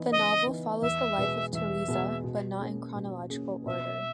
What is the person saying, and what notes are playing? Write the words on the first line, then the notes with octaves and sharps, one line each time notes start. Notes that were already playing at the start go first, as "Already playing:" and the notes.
The novel follows the life of Tereza, but not in chronological order.
Already playing: E3 B3 D#4
C#3 D#5
E3 B3 D#4
E2 E5
B2 G#3 B3
E2 E5
B2 G#3 B3
B2
A#3 C#4 G#4
B2
A#3 C#4 G#4
B2 E5